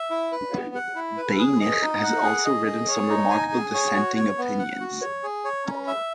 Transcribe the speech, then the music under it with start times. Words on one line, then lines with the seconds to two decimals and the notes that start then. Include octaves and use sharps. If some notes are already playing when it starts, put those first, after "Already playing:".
Beinisch has also written some remarkable dissenting opinions.
Already playing: E5
0.10 E4
0.32 B4
0.53 B3
0.75 F#5
0.96 E4
1.17 B4
1.38 G#4
1.61 D#5
1.82 D#4
2.03 F#5
2.24 G#4
2.45 D#5
2.66 G#4
2.88 C#5
3.09 D#4
3.31 G#5
3.52 G#4
3.74 C#5
3.95 F#4
4.16 C#5
4.38 B3
4.59 F#5
4.80 F#4
5.01 C#5
5.23 G#4
5.44 C#5
5.66 C#4
5.87 E5